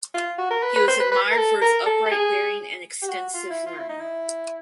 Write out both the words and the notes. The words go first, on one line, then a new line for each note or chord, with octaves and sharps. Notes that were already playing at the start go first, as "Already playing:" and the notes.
He was admired for his "upright bearing and extensive learning".
F4
F#4
A#4
B4
B4
C5
B4
B4
A#4
A4
A#4
A4
A4
G#4
G4
F#4
F4
E4
F4
E4
D#4
E4